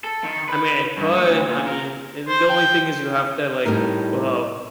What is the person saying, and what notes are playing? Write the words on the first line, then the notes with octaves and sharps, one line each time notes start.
I mean, it could I mean, eh, the the only thing is you have to, like well
A4
D#3
B4
G2
A3
D2
A#2
A#4
C5
G5
A2 G3 D#4 A#4